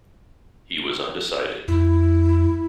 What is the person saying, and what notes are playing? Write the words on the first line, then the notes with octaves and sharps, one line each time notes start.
He was undecided.
F2 E4